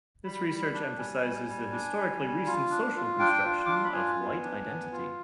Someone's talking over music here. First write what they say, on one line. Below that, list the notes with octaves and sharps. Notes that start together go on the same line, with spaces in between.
This research emphasizes the historically recent social construction of white identity.
G3 B5
G3
D4
G3 G#5
G3
G3
D4
G3
G3
F4
D4
F4
D4 G5
F4
D4 D6
C6
B5
F4 G#5
B3
D4
B3
F4